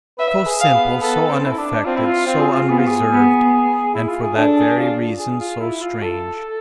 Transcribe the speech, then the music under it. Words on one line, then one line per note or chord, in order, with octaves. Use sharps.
So simple, so unaffected, so unreserved; and for that very reason so strange.
B4 E5
G#4
F5
B3
B3 A4
C4
E4
D4
C4 F4
E4
F4
C4 F4
G#4
F4
B3 G#4
F4
G#4
B3
E4
F4
G#4
D4 A4
G#4
F4
G#4
F4
E4
F4
A4